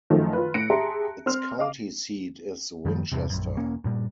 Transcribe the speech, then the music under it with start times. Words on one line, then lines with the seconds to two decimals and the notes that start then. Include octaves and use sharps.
Its county seat is Winchester.
0.10 F#2 D#3 F3 A3 F4
0.33 F4 B4
0.54 A2 F#6 A#6 C#7 D7
0.70 G4 G#4 E5 A5 A#5 C6
1.26 C4 C6 F6
1.59 D#5 F5 D6
2.85 F#2 D#3 F3 G3
3.12 E2 G2 C3
3.30 A#1 F#2
3.57 E1 A#3 C#4
3.84 G2 A#2 G3